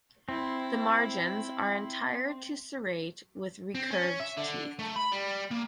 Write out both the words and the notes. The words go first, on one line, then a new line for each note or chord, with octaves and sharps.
The margins are entire to serrate with recurved teeth.
C4 E4
C4
C#4
E5
D3
A3
B5
G3
A#3